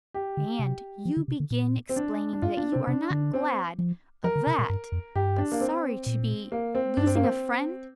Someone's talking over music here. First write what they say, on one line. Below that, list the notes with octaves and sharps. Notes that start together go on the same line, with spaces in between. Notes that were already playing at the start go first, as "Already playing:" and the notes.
And you begin explaining that you are not glad of that but sorry to be--losing a friend.
G4
D3
C3
F3
D3
C3
D3
A#2
C4
D4
D4
G2 F4
D4
C3 C4
C3 D4
D3 D4
C4
F3
F3 A#4
D3
C3
A#2
G2
F2
G2 G4
D4
A#3
C4
A#2
A#3
C4
G2 D4
C4
A#3
C4